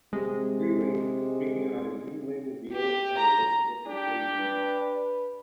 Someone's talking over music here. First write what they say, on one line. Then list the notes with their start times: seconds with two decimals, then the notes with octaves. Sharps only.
Freeway, speaking on his new label deal and relationship with Jay-Z.
0.13 C3 G#3
2.73 G4
3.18 A#5
3.86 D4 G4
4.39 B4